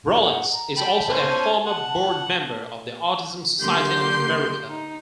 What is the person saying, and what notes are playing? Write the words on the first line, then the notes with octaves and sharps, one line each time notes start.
Rollens is also a former board member of the Autism Society of America.
F#5
A#5
G5 A5 B5
C#4 C5 G#5
F#5
D3 F#3 A#3 G4 C6 G6
D#4